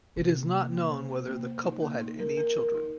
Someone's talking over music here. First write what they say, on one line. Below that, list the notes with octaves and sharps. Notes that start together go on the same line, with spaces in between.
It is not known whether the couple had any children.
C3 D#4
A#3
A#3
A#3
C5
C5
A#3
C5
D#4
A#3
D#4
A#4
A#4
A#4
D#4